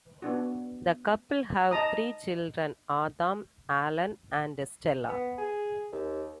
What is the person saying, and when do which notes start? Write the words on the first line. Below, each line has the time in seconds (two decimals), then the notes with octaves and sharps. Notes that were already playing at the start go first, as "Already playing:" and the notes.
The couple have three children: Adam, Alan and Stella.
0.22 B3 D4 F#4
1.71 D#5 A5 A#5 D#6
5.08 B3
5.38 G#4
5.92 D#2